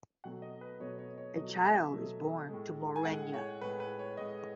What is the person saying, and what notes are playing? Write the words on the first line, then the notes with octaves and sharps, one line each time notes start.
A child is born to Morwenna.
B2 F#3 A3 F#5
D#5
B4
B2 F#3 A3 C#5
C#5
C#5
B2 F#3 A3 D#5
E5
B2 F#3 A3
A2 G#3
G#5
A2 G#3 F#5
C#5
A2 G#3 B4
B4
C#5
A2 G#3 D#5